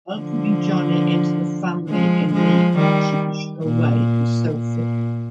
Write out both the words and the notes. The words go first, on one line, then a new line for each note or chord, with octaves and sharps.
Welcoming Johnny into the family in the traditional way was so fitting...
D3 F3
F3 G#3
F3 G#3
D#3 G3
A#2
A#2